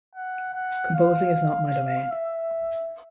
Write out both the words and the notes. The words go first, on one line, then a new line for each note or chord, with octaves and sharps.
Composing is not my domain.
F#5
F#5
F5
E5